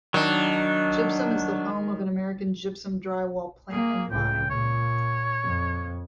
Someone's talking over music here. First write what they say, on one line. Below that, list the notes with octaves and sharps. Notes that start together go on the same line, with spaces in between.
Gypsum is the home of an American Gypsum drywall plant and mine.
D#3 F#3 D4
A#3 G#4
C#2 A2 C#3 G5
A#2 C#5
F2